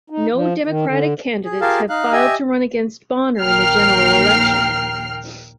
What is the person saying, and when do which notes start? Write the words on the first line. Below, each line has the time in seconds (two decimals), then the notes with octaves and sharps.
No Democratic candidates have filed to run against Bonner in the general election.
0.10 D#4
0.33 F3
0.67 D#3
0.86 D3
1.45 G#4
1.61 F4 G4 G#4 A#4 F5 A5
1.89 D#4 F5 F#6
2.12 G4 D#5 E5 G#5
3.40 A#1 D#2 A#4 G5 F6 C7